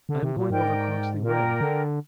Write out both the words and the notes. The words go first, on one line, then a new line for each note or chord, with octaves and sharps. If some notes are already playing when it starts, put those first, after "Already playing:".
"I am going over Croxley way."
D3
C3
A#2
G#2 A#4 D5 G5
A#2 A#4 D5 G5
D3